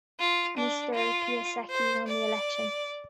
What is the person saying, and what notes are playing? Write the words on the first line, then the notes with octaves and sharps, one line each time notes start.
Mr. Piasecki won the election.
F4
D4
F4
C5
D5